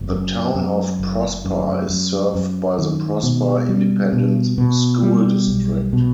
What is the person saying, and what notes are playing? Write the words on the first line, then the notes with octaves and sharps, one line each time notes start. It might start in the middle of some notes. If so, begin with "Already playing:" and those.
The Town of Prosper is served by the Prosper Independent School District.
Already playing: F#1
F#2
F#2
F#1
F#2
F#2
F#2
D#3
B2
G3
B2
B2
G3
B1
B2